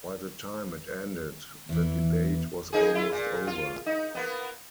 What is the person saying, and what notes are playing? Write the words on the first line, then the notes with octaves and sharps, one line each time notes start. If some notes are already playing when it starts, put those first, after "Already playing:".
By the time it ended, the debate was almost over.
E2 E3
A#3 D#4 G#4
E4 F4
A#2
F4
D#4
A#3 B3